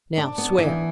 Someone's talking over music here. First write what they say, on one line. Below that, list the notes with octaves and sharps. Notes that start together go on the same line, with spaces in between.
Now swear.'
D4
B3
E3